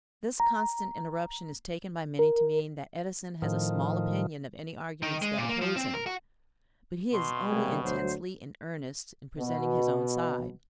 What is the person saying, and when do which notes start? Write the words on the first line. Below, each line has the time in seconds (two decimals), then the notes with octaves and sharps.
This constant interruption is taken by many to mean that Edison has a small opinion of any arguments that oppose him; but he is only intensely in earnest in presenting his own side.
0.40 A#5
2.19 A#4
3.42 A2 D#3 F3
5.03 D#3
5.22 G#3
5.38 A#2
5.49 A#3
5.62 F3
5.76 C4
5.94 A#4
6.06 F#4
7.13 B2 C6
7.49 C3 G3 A#3 G#4
7.82 D2 F#3 C5
9.37 B2